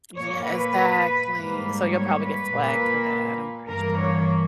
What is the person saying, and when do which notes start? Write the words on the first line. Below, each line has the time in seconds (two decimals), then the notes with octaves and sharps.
Yeah, exactly. So you'll probably get flagged for that, I'm pretty sure.
0.15 A#2 A#3 C#5
0.45 B4
1.33 G#2 G3 A#3
1.92 C#5
2.21 B4
2.51 A#2 A#3
3.68 G2 E3 A#3 A#4
3.97 C#5